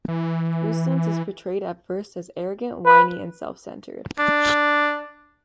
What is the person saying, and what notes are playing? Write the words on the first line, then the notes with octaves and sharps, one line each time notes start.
Eustace is portrayed at first as arrogant, whiny, and self-centred.
E3
B4
D4